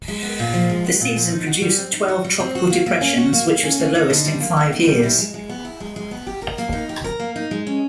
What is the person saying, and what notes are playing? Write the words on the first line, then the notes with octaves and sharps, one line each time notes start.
The season produced twelve tropical depressions, which was the lowest in five years.
G#3
B3
A#2
F3
G#3
B3
A#2
F3
D#4
F#4
G3
C4
D#4
F#4
G3
C4
F#4
A#3
A#3
C#4
F#4
A#3
A#3
C#4
A#3
D#4
D3
G3
A#3
D#4
D3
G3
E4
G#3
G#3
B3
E4
G#3
G#3
B3
G4
A#4
A#3
D#4
G4
A#4
A#3
D#4
G#3
C#4